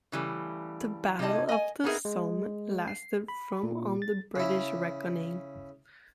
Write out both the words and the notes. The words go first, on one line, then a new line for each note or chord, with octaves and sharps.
The Battle of the Somme lasted from on the British reckoning.
C#3 E3 G3 A3
C3 G#3 D#4 E4 D#5 A5
D#5 G#5
B3 C4 D#4 G#4 A#4 E5
G#3
C7
B5
A#2
A6
C#3 E4